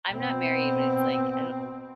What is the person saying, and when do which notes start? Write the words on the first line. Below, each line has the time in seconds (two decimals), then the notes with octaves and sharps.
I'm not married, but it's, like, I don't
0.10 B2 C4